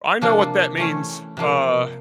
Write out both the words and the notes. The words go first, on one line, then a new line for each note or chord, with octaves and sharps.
I know what that means. Uh,
C3 F3 A#3 D4
E3 A3 C#4
C3 F3 A#3